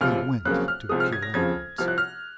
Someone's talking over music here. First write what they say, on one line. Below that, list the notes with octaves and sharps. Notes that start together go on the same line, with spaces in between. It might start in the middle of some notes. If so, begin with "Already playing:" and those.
He went to Kuragin's.
C#2 C3 F3 F6
F2 C#3 F#3 A#3 F#6
F6
C2 C3 F3 G#3 D#6
F6
G#6
A#6
F2 C#3 F3 G#6
C2 C3 F3 F6
F#6
F6